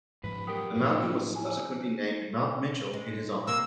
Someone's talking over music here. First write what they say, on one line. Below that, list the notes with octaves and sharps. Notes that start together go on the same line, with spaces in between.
The mountain was subsequently named Mount Mitchell in his honor.
G#2 F3 G#3 B4
F#3 G4 A#4 G5 D#6
A2 F3
E4 G#5
G#3
C3 A#3 E6